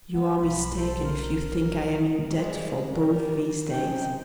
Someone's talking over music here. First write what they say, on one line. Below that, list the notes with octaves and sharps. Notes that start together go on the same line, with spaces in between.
You are mistaken if you think I am in debt for both these days.
G#3 B3
B1 B5
A4 C5
A#4
F3 G3 G#3
D#2 G3 A#4
C3 C#4 D#4 G5